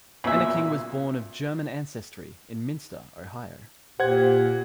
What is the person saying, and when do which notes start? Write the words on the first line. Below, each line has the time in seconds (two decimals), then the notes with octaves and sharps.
Enneking was born of German ancestry in Minster, Ohio.
0.24 B1 A#2 C#3 E5
4.00 A#2 G4 C5 F#5 G#6